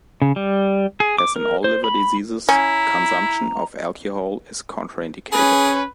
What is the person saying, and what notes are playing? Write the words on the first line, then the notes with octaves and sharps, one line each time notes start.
As in all liver diseases, consumption of alcohol is contraindicated.
C#3
G3
G#4
D6
A#4
C5
B5
C#4 E4 A#5
C#4 G#4 B4